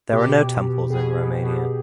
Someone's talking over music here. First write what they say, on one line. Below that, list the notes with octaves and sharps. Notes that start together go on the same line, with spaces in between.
There are no temples in Romania.
B2 G4
B2
B2
B2 G#4
B2
B2